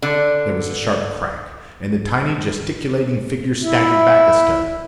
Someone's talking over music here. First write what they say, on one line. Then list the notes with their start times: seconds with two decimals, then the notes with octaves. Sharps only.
There was a sharp crack, and the tiny gesticulating figure staggered back a step.
0.02 D3
3.63 E4